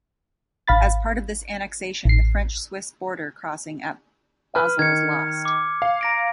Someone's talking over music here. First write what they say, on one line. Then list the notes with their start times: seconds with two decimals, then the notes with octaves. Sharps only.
As part of this annexation, the French-Swiss border crossing at Basel was lost.
0.68 G#1 F5 B5 A6
2.05 A1 C7
4.56 B4 F6
4.79 D#3 G#6 C#7
5.45 D6
5.82 F5
6.01 A#5 A#6 D7